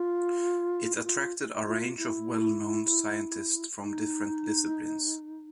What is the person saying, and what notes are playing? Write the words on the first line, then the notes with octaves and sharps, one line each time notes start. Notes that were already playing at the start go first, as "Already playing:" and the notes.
It attracted a range of well-known scientists from different disciplines.
Already playing: F4
E4
F4
F4
E4
D#4